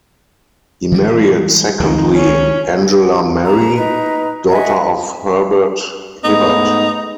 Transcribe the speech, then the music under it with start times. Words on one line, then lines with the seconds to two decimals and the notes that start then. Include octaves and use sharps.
He married, secondly, Angela Mary, daughter of Herbert Hibbert.
0.92 E3 G3 G#3
1.80 C#2 D#3 F3 D#4
2.15 C#4
3.45 A5 A#5
3.75 D#4 B4 A#5
4.49 F#4 D#5 E5 G#5
6.24 G#2 A3 B3 D#4